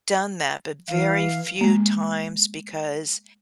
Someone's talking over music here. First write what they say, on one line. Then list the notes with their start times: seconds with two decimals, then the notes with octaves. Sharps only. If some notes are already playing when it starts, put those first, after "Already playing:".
done that but very few times because
0.89 E3 F5
1.61 G#3 A#3